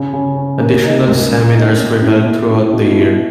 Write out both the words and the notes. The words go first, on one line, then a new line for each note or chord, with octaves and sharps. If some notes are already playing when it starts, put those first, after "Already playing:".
Additional seminars were held throughout the year.
Already playing: C#3
C#3
C#4
A#3
D#4
C#2
G#3
D#4
A#2
E4
A#2
E4
B2
E4